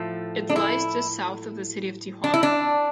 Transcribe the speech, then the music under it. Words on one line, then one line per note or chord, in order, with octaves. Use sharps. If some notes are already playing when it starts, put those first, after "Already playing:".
It lies just south of the city of Tijuana.
Already playing: A2 F3 A3
D4
E4
D4
E4
D4